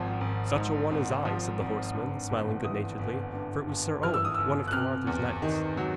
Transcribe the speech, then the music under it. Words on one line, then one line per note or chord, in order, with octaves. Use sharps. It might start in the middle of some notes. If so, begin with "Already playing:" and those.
'Such a one as I,' said the horseman, smiling good-naturedly, for it was Sir Owen, one of King Arthur's knights.
Already playing: G#1 G#2 F3
G#1
G#2
G#1
F3
G#1
G2
G1
E3 D#6
G1
G2
G1
E3 F6
E6
D#6
G1 E6
F#6
C3 F6
E2
D#3
F#3